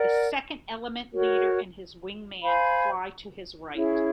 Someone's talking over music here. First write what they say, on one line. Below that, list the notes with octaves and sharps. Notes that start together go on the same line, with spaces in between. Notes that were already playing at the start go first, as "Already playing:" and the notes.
The second element leader and his wingman fly to his right.
Already playing: A#4 D5 F#5
F#4 A#4 C#5
C5 F5 G#5 B5
C#4 E4 G#4 C#5